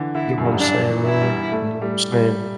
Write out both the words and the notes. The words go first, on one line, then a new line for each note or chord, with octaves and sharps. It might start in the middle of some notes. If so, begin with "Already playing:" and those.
You know what I'm saying, man? You know what I'm saying?
Already playing: D3 E3
D3 E4
F#2
G2
F#2
G2 D4
E3
E4
G3
A3
G3
G3